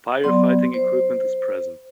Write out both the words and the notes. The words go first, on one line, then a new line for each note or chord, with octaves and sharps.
Fire fighting equipment is present.
F#3 B3 D5 C6
C5